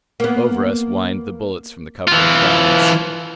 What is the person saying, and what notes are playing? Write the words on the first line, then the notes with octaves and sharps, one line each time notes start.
Over us whined the bullets from the covering guns.
A#3 B3
E3 F4